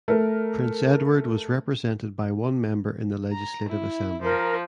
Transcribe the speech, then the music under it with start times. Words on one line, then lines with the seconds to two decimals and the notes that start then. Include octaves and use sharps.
Prince Edward was represented by one member in the Legislative Assembly.
0.08 A3 A#4
3.32 A#5
3.68 E4
4.22 F3 A#4